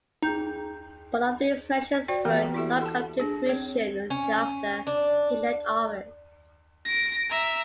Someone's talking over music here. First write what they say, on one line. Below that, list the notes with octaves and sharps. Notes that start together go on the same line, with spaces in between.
Both of these measures would not come to fruition until after he left office.
D#4 G#4 G5 G6
F#4 C5 D5 G5
E3 A#3 B3 G4 B4 G5
E4 F#4 G4 A4 E5
A4 A5
D4 G#4
C4 C#5
C#4
D4
A#6 D7
E5 A#5